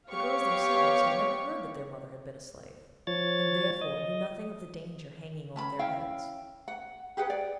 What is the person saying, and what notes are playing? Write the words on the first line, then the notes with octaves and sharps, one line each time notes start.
The girls themselves had never heard that their mother had been a slave, and therefore knew nothing of the danger hanging over their heads.
B3 G4 C#5 F5 C#6
F3 C#5 A6
D#5
C#4 A5 B5
C#4 E4 F5 G5
F#5
G4 G#4 B4 F#5
D5